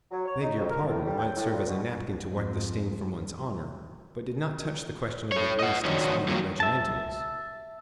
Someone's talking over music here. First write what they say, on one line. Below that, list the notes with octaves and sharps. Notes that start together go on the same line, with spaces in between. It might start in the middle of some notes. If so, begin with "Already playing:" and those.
"Beg your pardon" might serve as a napkin to wipe the stain from one's honor, but did not touch the question of the greased and spotted regimentals.
F#3
C#5
D#4
F2
A#4
A2
G3
G5
A2
A#2
B2
F2 G#2
A4 C#5
D#5 F#5
D#3 F3 D4 D#4 F#4 C#5
F#3 G3 A#3 F4 F#4
E5 A5